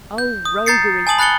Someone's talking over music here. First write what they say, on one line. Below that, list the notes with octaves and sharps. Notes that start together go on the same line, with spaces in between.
Oh roguery!
G6
D#6
A#5 G6 A6 C7 C#7
G#5 A5 D#6 F#7
B5 F#6 A6 C#7 G7